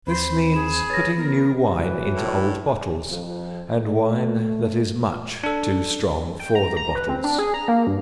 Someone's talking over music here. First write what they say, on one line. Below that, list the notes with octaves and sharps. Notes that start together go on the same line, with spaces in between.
This means putting new wine into old bottles, and wine that is much too strong for the bottles.
D#2 C4 C5 B5
G#4 E7
B4 C#5 F6 A6 A#6
B3 A#4
E3 F#3
A2
F2
A3
D4 A4
G5
A#5
A#5
B4
C4
D4
G#4
A#5
A#3
G2